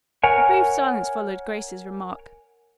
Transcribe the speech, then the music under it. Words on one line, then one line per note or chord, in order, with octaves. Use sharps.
A brief silence followed Grace's remark.
A#4 C#5 F#5 G#5